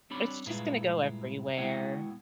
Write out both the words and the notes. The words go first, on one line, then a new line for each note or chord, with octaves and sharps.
It's just gonna go everywhere.
G3 C4 D4 C#5 B5
G2 A#2 G#3 E4 F4 B4
B2 G#3 B3 E4 F#5 G5